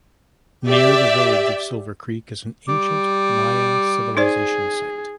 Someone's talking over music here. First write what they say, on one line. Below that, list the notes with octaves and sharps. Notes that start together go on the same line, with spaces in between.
Near the village of Silver Creek is an ancient Maya civilization site.
G4 D5 E5
G3 D6
D#4 G#4 C5 D5